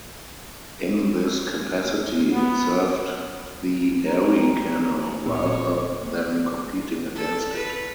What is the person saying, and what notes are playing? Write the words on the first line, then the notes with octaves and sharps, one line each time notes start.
In this capacity, it served the Erie Canal rather than competing against it.
B3
G5 A#5
D1 A#2 C4 C#5
A4
B4